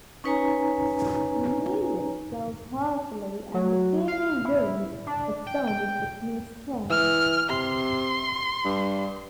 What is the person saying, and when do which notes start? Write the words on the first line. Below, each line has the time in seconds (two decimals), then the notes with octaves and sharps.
The music swelled powerfully and the piano roared... the sound is with me still.
0.24 C#4 D#4 B4 C#5 G#5 A#5
3.54 F#3
4.08 F5
4.45 E4
5.07 D4
5.46 G5
5.67 G5
6.90 E3 F6
7.50 C3 C6
8.65 G2